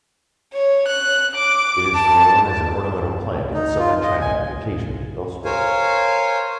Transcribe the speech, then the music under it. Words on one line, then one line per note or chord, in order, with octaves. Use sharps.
It is grown as an ornamental plant in southern China and occasionally elsewhere.
C#5
F#6
D6
A5
D#4
F4
D#5
G#5
A#4 C5 C#5 F5 G#5